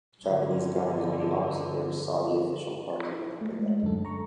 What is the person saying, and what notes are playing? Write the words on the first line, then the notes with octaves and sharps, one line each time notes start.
Japanese gunners on the opposite ridge saw the official party and opened up.
G2 D3
E4
A3
G#3
F#2 D3 A4
A#5 C#6